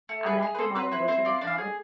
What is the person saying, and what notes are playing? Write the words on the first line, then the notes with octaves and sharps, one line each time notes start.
I'm an actor, model, and voice-over talent,
A3
G#4 B4
G#4
B4
C4 A4
C4 B4
E4 B4
C4 C5
F4 D5
D4
F5
G#4